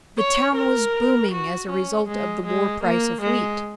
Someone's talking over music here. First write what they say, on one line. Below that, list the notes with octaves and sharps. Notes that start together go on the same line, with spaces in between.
The town was booming, as a result of the war price of wheat.
C#5
A#4
F#4
C#4
G#3
G#3
A#3
G#3